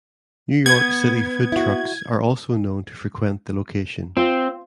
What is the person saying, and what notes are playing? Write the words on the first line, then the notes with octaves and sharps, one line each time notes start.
New York City food trucks are also known to frequent the location.
B3 G#6
E4 F#4
C4 F4